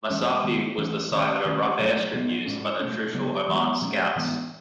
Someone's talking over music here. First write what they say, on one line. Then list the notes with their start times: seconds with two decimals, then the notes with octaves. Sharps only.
Masafi was the site of a rough airstrip used by the Trucial Oman Scouts.
0.10 E3 G#3 C#4
0.44 D#3 G#3 B3
0.78 E3 A3 C#4
1.12 D#3 A3 C#4
1.45 D#3 A3 C#4
1.79 B2 F#3 A3
2.13 B2 F#3 B3
2.46 A2 G#3 C#4
2.80 B2 A3 C#4
3.14 C#3 F#3 B3
3.48 E3 G#3 B3
3.82 B2 F#3 A3 C#4
4.16 A2 E3 G#3 B3